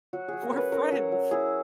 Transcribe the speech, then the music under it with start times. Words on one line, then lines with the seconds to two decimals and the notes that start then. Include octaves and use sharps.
We're friends.
0.13 F#3 F#4
0.28 F#3 G#4
0.43 A#4
0.53 C#4 B4 C#5
0.72 C#4 A#4
0.92 F#3
1.12 F#3
1.31 E4 G#4